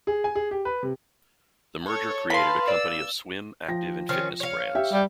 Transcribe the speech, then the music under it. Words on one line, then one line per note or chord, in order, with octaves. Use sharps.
The merger created a company of swim, active and fitness brands.
G#4
G#5
G#4
G4
B4
C3
A4 C#5
B4 F5 A5 B5 C6
D5 E6
F3 G5 A#6
D#3 C4 C#4
C#5 F5
G4 E5 G5
G3